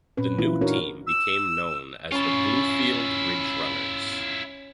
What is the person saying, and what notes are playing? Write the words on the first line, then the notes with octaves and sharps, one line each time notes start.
The new team became known as the Bluefield Ridge Runners.
A#2 C4 C#4 B4
E3 A#3 E4 F4 B4
D4 D#4 F#4 A#4 C#5
E6
C#4 E4 F4 B5